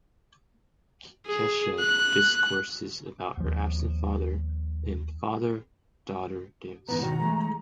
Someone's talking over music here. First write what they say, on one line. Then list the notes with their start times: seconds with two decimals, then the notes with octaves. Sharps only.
Kesha discourses about her absent father in "Father Daughter Dance".
1.26 G#4
1.80 F#6
3.37 D#2 F3
6.89 G#2 E3 B3 A#5
7.02 B2 D#3 F#4
7.20 E3 G#3 A3